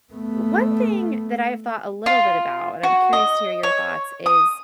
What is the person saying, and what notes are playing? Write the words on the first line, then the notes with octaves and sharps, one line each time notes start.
one thing that I have thought a little bit about, and I'm curious to hear your thoughts, is
A3 B3
F4
F#4
D#5
C#5
D#6